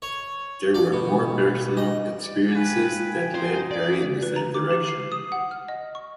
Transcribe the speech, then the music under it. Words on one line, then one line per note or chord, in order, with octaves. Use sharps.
There were more personal experiences that led her in the same direction.
C#5
D5
B2
D#5
D5
F4 B4 G5 G#5
D#4 C5
D5
B4
A#5
D6
G4
C7
C7
D#6
F#5
F6
D#5
C#6